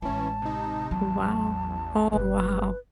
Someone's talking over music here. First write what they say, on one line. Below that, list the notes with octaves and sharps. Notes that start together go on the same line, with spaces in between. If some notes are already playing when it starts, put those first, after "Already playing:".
Wow. Oh wow.
A1 E3 G#3 C#4 A5
C3 D#4
A1 E2 F#3 A5
G1 A#2 B4